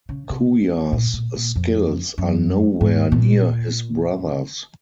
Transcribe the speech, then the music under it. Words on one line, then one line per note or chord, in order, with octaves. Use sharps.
Kouya's skills are nowhere near his brother's.
C#3
C3
A#2
A#2
A#2
F2
F#2
G#2
A#2